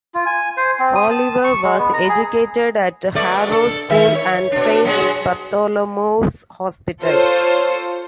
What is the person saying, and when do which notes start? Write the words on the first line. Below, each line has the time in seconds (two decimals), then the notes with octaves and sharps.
Oliver was educated at Harrow School and Saint Bartholomew's Hospital.
0.15 F4
0.26 G#5
0.57 C5
0.79 C4
0.95 D#6
1.10 A5
1.44 C#6
1.63 G#3
1.78 B3
1.94 A#5
2.09 G#4
3.15 B2 A3 D5
3.49 D4 A4
3.90 D#3 E5
4.15 C#5
4.52 B2 D4
4.85 F#3 G#3 F#4
7.01 F4 A4 C5 C#5